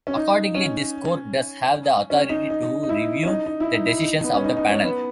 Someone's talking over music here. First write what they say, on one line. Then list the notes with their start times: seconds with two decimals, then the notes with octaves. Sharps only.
Accordingly, this Court does have the authority to review the decisions of the panel.
0.07 C#4
0.16 D#4
0.55 C#4
2.10 C#4
2.29 D#4
2.50 D#4
2.83 D#4
2.89 E4
3.23 C#4
3.27 D#4
3.46 D#4
3.60 E4
3.73 D#4
3.86 E4
4.00 D#4
4.24 B3
4.34 C#4
4.44 D#4
4.57 D#4
4.70 C#4
4.83 B3